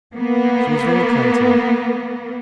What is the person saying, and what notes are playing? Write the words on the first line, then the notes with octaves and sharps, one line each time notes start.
She was very kind to me.
A#3 B3